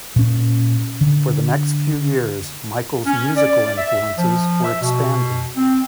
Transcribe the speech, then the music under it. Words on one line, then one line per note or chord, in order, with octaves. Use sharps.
For the next few years, Michael's musical influences were expanding.
A#2 C#4
D3
C#4
D5
E5
F3
E5
B2
C4